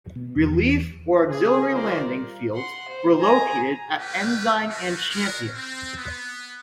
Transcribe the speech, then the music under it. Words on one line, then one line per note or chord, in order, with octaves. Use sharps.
Relief or auxiliary landing fields were located at Ensign and Champion.
B2
E2
C#3 G#4
G3 F4 A#4 C5 D5
F#5 C6
C5
G#4 G#5 A#5
A3 A#3 C#4 G4 B4
B3 C4 F4 F#4 A#4 B4
C#4 F4 F#4 G#4 A#4
C4
B3